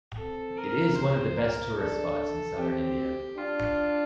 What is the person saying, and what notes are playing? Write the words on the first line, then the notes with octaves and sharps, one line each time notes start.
It is one of the best tourist spots in Southern India.
C4 A4
A#4
C5
A#4
D4 A4
C4 G4
D4 F4